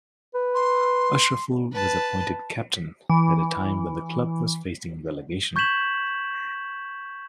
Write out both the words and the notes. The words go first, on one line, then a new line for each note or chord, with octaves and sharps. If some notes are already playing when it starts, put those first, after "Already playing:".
Ashraful was appointed captain at a time when the club was facing relegation.
B4
C6
B4 A5
E3
C#6 G6 G#6 B6 E7 F#7